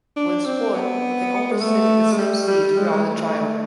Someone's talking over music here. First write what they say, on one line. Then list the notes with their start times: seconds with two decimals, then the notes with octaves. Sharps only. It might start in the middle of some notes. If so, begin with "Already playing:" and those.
Once sworn they always sit in the same seat throughout the trial.
0.16 D4
0.46 C4
0.74 B3
1.52 G#3
1.61 A3
2.12 G#3
2.18 G3
2.48 G3
2.77 G#3
2.92 G#3
3.06 A3